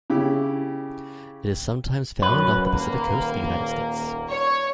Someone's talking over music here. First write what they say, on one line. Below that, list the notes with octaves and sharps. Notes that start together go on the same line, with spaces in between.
It is sometimes found off the Pacific coast of the United States.
C#3 E4 G4
F#2 B4
D#1 A#3
C#5